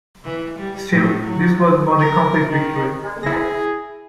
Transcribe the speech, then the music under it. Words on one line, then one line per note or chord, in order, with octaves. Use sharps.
Still, this was not a complete victory.
E3
G3
A2
F#3
A#4
D#3
E4 G#4 A#6